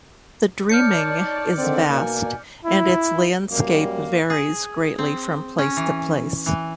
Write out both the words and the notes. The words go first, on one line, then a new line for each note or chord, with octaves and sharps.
The Dreaming is vast, and its landscape varies greatly from place to place.
D#4 C#5 D5 A5 F6 G6 C#7
D3 D#3 C4
B2 A#3 G#5
E4
F#2 G3 A#3
G#4
C4
C#4
E3
E3